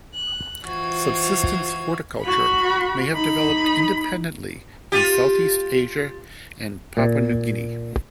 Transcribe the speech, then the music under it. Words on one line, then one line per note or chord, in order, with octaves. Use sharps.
Subsistence horticulture may have developed independently in South East Asia and Papua New Guinea.
F#6
E3 F4 F#4 C5 G#6
F#4 B5
D#4 B5
F4 G4
A#2